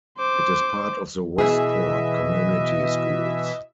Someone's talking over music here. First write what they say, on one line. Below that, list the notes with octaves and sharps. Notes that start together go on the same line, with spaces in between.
It is part of the Westport Community Schools.
C5 D6
B2 E3 G#4 D#5 E5